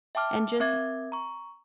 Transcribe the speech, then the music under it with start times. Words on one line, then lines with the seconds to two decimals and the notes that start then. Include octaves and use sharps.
and just
0.15 E5 G5 A5 D6 F6
0.60 C4 A#4 E5 D6 G#6
1.12 A#5 C#6